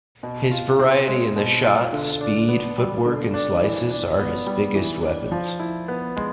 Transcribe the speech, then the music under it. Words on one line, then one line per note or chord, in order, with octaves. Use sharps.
His variety in the shots, speed, footwork, and slices, are his biggest weapons.
B2
F4
C4
G#3
B2
F4
D3
D4
B3
G3
D3
D4
E3
D4
B3
G3
E3
D4
F3
E4
B3
G#3